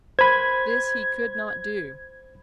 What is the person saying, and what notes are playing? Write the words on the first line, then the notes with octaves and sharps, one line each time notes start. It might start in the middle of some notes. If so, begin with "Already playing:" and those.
This he could not do.
C5 B5 G#6